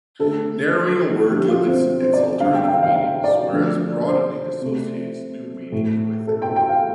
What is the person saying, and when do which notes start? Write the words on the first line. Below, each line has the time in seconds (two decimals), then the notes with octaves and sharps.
Narrowing a word limits its alternative meanings, whereas broadening associates new meanings with it.
0.19 D3 A3 A4
1.29 D3 F3 A3 G4
1.48 F4
1.67 C4
2.02 C5
2.13 D5
2.40 D3 G3 F5
2.55 G5
2.68 F5
2.83 F5
2.95 F5
3.24 D5
3.52 D3 F3 A3
4.07 C5
4.61 C3 A3
5.72 A2 A3
6.27 A4
6.42 G5
6.56 G5
6.69 F5